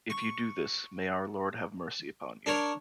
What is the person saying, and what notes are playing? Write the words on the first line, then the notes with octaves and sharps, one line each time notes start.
If you do this, may our Lord have mercy upon you.
C#6
D4 A#4 C#5